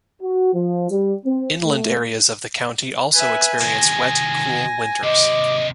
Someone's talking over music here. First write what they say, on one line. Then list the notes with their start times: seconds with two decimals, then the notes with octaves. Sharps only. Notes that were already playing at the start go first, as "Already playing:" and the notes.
Inland areas of the county also experience wet, cool winters.
0.22 F#4
0.53 F3
0.91 G3
1.25 C4
1.63 A3
3.14 B4 E5 G#5
3.61 C3 D#3 A#6
5.03 D#2 C3 D#5 D6